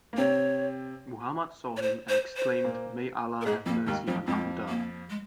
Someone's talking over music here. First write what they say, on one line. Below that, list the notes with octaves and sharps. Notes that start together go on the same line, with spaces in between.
Muhammad saw him and exclaimed, May Allah have Mercy on Abu Dhar!
A#3
C3 C4 C#5
C#5
C5
C5
C5
A#2 A#3
A#4
G#2 G#3 G#4
F2 F3 A#3
D#2 D#3 G#3
F2 F3 F#3
F2 F3 G#3
A#3
G#3